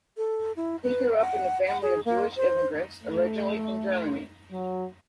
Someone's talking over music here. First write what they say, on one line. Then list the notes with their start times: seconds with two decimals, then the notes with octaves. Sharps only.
He grew up in a family of Jewish immigrants, originally from Germany.
0.17 A4
0.56 E4
0.83 B4
1.21 F#5
1.68 F#5
1.82 G#4
2.05 A#3
2.37 C5
3.03 A3
4.51 F#3